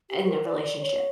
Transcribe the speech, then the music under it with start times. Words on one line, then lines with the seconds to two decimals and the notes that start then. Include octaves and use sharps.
in the relationship?
0.10 G4
0.28 A#4
0.46 D5
0.63 D5
0.75 D5
0.81 C#5